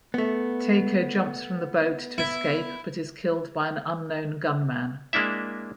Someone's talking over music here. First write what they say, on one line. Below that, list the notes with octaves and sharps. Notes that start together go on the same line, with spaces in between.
Taeko jumps from the boat to escape but is killed by an unknown gunman.
A3 B3
E4
G#3 A#3 D4 E4 E5